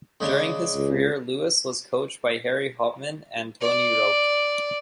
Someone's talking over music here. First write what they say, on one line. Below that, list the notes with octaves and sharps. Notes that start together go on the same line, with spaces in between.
During his career Lewis was coached by Harry Hopman and Tony Roche.
C#3 G#3 D4
C#2
D5